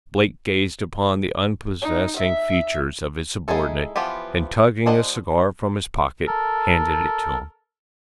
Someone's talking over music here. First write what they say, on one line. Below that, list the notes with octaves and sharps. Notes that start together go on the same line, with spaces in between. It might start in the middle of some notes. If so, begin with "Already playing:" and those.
Blake gazed upon the unprepossessing features of his subordinate, and tugging a cigar from his pocket, handed it to him.
D#4
E5
G#3 D#4 E4 G#4 A4
E3 F3 B3 F4 G4
G#3 D4 F#4 C5 D#5
A4 A#4